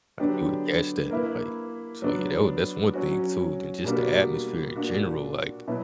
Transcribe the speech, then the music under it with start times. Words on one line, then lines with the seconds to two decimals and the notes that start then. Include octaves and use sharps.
like you would guess that, like, so yeah, that w that's one thing too, then just the atmosphere in general like.
0.19 D3 F#3 B3 D4 G4
1.11 A#3 E4 B4
2.02 F#3 B3 D4
2.94 F#3 C#4 F#4
3.84 B2 G3 A#3 D4 F#4
4.76 A#2 A#3 D4 F#4
5.68 B2 F#3 B3 E4